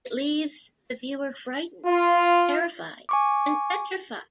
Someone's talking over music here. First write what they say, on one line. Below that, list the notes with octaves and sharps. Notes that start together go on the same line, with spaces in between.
It leaves the viewer frightened, terrified and petrified.
F4
G#5 C#6 D6